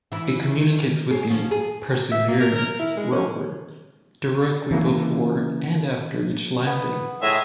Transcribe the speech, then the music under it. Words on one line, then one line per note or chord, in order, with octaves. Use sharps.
It communicates with the "Perseverance" rover directly before and after each landing.
E3 E4
G#4 C#5
F3 C#4
G#4
E5
A#3
A#4
A#4
E4
G#3
C#4
C#3 E3 A#3
B3
A2 G#3 E5